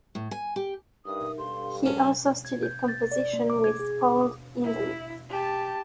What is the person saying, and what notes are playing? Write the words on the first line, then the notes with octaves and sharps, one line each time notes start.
He also studied composition with Paul Hindemith.
A2
G#5
G4
G2 D#4 A#4 E5 D#6
G2 G4 A4 F5 C6
F#3 C#4 A5
G#6
G6
A6
D5
A#3
D6
G#6
G#4
D6
D#6
E4
G4 A5